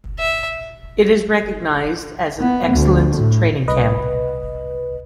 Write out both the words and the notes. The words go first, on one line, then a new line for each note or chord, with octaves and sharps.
It is recognized as an excellent training camp.
E5
B3
D2
A2
C2 B4 D#5